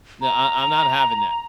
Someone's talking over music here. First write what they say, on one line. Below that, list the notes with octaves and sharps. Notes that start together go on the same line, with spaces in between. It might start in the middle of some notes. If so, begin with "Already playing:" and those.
n I I'm not having that."
A#5